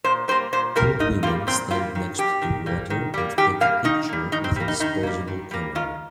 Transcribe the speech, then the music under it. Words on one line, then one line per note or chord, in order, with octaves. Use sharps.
Two women stand next to water and take a picture with a disposable camera.
A#2 C5
G3 A#3 C5
A#2 C5
G3 A#3 A#4
A#2 D#4
G3 A#3 F4
A#2 C4
G3 A#3 F4
D#3
G3 A#3 G4
D#3
G3 A#3
D#3
G3 A#3
D#3 G4
G3 A#3 F5
D#3 D#4
G3 A#3
D#3 D#4
C4
G3 A#3
D#4
D#3 D#4
G3 A#3
D#3
G3 A#3
D#3 F4